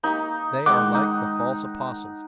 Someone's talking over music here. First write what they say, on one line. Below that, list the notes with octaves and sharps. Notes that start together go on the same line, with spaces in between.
They are like the false apostles.
A#3 D#4 G4
D#3 G#3 F#5 D6
D#4